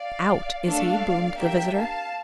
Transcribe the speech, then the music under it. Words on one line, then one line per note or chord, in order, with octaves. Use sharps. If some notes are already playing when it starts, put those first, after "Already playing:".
"Out, is he?" boomed the visitor.
Already playing: D5 F5
A3 D4 A4 D5 F5
A#3 D4 G4 E5 G5
F5 A5